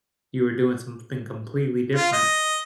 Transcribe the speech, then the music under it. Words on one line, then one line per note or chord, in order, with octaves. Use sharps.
you were doing something completely different,
F4
D#5